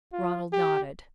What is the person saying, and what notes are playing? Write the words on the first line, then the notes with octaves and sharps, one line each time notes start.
Ronald nodded.
F4
G4